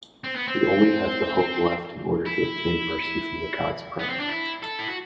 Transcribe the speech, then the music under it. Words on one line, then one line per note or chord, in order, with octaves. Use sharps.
We only have the hope left in order to obtain mercy from the gods praying.
C4
B3
C4
E4
B3
C4
D4
E4
A4
E4
F#4